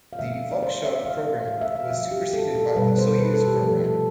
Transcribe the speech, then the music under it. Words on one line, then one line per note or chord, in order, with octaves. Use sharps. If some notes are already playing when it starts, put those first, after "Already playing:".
The Voskhod programme was superseded by the Soyuz programme.
F5
D3 F3 A3 E5
D5
C5
E5
C3 E3 A3 F5
F5
E5
F5
D3 F3 A3 E5
G4
A4
A4
B2 G3 B4
C5
B4
A4
G4
C3 F3 A3
A4